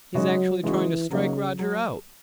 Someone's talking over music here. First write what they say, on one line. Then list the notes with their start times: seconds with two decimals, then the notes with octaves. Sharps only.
"He's actually trying to strike Roger out!"
0.14 C#3 F#3 G#3 D#4 F#4
0.63 C#3 E3 G#3 D#4 F#4
1.11 C#3 F#3 A#3 D#4 F#4
1.59 F#3